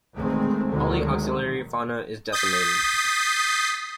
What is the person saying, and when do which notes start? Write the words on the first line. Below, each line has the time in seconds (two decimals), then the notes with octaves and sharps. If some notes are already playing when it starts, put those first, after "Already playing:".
All the auxiliary fauna is decimated.
0.15 E2 D#3 G#3 A3 C4
0.68 D2 B2 D3 D#3 F#3 G#3
2.32 D#6 G6 A6 B6 C7